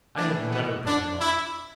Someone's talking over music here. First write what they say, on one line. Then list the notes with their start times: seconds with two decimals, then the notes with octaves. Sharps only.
"I have never been in love."
0.17 A2 E3 A3 D4
0.51 B3
0.86 D4
1.21 E4